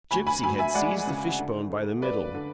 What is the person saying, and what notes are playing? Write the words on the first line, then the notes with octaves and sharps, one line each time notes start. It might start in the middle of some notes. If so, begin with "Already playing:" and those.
Gipsy had seized the fishbone by the middle.
D2 G#5 B5
G#5 B5
D2 G#5 B5
E5 G#5
G#3 D5 F#5
C#3
D3
A3
F#2 B4 D5
D3